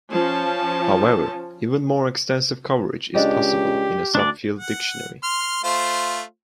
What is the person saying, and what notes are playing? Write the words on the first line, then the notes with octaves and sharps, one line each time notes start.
However, even more extensive coverage is possible in a sub-field dictionary.
F3 C#4 A5
C#2 D4 G4 D5 D#5
D2 D4 D5
F#5
C6 F6
A3 F4 C5